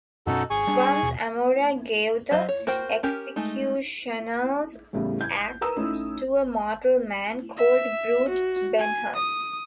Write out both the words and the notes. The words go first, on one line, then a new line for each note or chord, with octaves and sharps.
Once, Amora gave the Executioner's axe to a mortal man called Brute Benhurst.
F#2 B2 C#4 D#4 F#4 A4
G#1 G#4 G#5 C#6
G3 D4
D#2 B2
F#3 C5 D#5 F5
C#5
F#4 A#4 C5 G5
C#4 G4 A#4
G#3 A3 D#4
E2 A2 C#3 G3
G6 G#6
A#4 B4 A#5 D#6 E6
A3 C#4 D#4 E4
E5
F#4
G#5
D#6